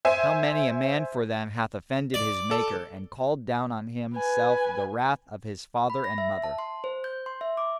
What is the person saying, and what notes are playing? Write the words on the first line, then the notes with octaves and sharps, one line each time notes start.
How many a man for them hath offended his Maker and called down on him self the wrath of his father and mother!
C5 E5 G#5
D5
A4
B4 G#5
B5
A#6
E5
A5
C6
C5
G6
C6
E5
D6